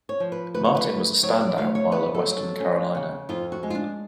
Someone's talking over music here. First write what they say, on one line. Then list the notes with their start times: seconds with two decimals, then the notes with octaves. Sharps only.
Martin was a standout while at Western Carolina.
0.09 C#5
0.20 F3
0.32 B4
0.54 D2 B4
0.65 C#5
0.75 B4
0.84 A4
0.89 D2 B4
1.23 F#3 C#5
1.41 D5
1.58 D2 F5
1.75 C#5
1.92 B3 B4
2.15 A4
2.26 F#3
2.38 A4
2.60 B3 C#4
2.95 C#3
3.29 F2 F4
3.52 F#4
3.63 G#3
3.70 F4
3.75 D4